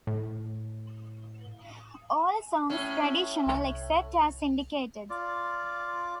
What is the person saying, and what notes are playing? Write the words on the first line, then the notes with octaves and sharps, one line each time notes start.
All songs traditional except as indicated.
A2
A2 C#4
C2
F4 D5